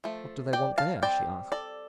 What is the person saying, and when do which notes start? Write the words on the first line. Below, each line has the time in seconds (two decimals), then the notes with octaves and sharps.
"What do they want there?" she asked.
0.04 F3 A3
0.53 D5 G5
0.78 F5 A5
1.02 G3 C4 D5 G5
1.52 A4 D5